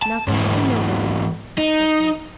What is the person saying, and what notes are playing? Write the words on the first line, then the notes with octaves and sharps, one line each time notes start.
"Nothing and nobody!" I said.
A5
G#2 E3
D#4